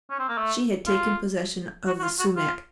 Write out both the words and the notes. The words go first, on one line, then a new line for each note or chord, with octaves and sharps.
She had taken possession of the sumac.
C#4
C4
A#3
A3
F4
F#4
F#4
F4
F#4
F4